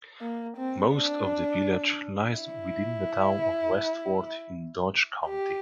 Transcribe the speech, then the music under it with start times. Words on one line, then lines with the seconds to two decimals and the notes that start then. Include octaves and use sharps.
Most of the village lies within the Town of Westford in Dodge County.
0.21 A#3
0.57 C4
0.94 D4
2.38 E4
5.26 G4